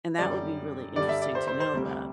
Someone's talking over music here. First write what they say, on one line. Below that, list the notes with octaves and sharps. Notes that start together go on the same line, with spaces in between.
and that would be really interesting to know about.
F#2 D3 G3 D5
G2 D3 G3 D5
E5
D5
C5
C5
C5
D2 C3 G3